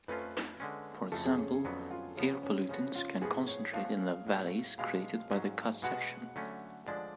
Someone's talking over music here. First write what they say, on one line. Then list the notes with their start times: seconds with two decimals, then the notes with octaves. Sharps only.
For example, air pollutants can concentrate in the 'valleys' created by the cut section.
0.08 F2 F3 A3 C#4 F4 B4
0.60 D3 G#3 C#4
1.12 F2 C#3 F3 A3 A4
1.25 G#4
1.38 C#4
1.51 C#4
1.65 F2 D3 F#3 B3 C#4
1.91 F4
2.17 C#3 F3 B3 C#4
2.43 C#4
2.69 C#3 F3 B3 C#4 F#4
2.96 F4
3.22 A2 F3 B3 F#4 G#4
3.47 C#5
3.73 F3 A3 D4 F#4 F5
4.27 A2 F#3 A3
4.78 B2 G#3 D4 F4 F5
5.30 G#2 F#3 C#4
5.82 B2 G#3 B3 F#4 F#5
6.36 D3 F#3 A3 C#4
6.88 D3 F3 G#3 D4 D5